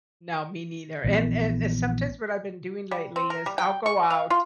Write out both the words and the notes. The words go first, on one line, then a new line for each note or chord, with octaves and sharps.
No, me neither, and and and sometimes what I've been doing lately is I'll go out,
A#1 E3 B3
G3
C4
A#4
G3
G5
C#6
F5
F4